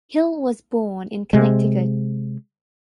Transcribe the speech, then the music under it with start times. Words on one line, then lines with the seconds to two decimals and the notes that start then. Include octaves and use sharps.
Hill was born in Connecticut.
1.33 C3 G#3